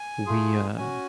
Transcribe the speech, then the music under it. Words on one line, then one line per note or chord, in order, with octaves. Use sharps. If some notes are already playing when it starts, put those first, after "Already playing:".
we, um
Already playing: G#5
A3 F4 G#4
C#4 F#4 G#5